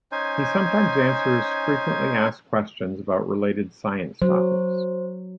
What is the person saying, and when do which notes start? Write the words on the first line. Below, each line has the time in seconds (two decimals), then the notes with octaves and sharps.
He sometimes answers frequently asked questions about related science topics.
0.12 C#4 D#4 C5 G#5
4.22 F#3 C5